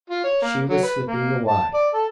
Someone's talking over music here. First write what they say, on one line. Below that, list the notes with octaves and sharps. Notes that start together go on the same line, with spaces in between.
She was slipping away.
F4
C#5
A#3
F#3
B4
A#3
A5
D5
A4